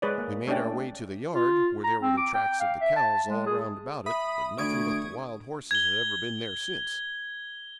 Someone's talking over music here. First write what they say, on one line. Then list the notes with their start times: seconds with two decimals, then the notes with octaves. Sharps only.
We made our way to the yard, where there were the tracks of the cows all round about it, but nothing but the wild horses had ever been there since.
0.02 G#3 G#4 B4 C#5 D5
0.18 A#3
0.47 A3 C#4 D4 D5 G5
1.34 F4
1.84 A#5
2.02 C4
2.17 D6
2.34 G5
2.60 F5
2.81 E5
2.96 A5
3.28 G#3
3.46 G#4
4.06 E5 B5 D#6
4.58 D2 C#6 D#6 G#6 D7
5.71 G#6 G7